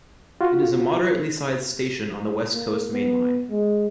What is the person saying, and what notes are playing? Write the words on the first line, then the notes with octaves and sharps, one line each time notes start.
It is a moderately-sized station on the West Coast Main Line.
F4 F#4
A#3
B3
G#3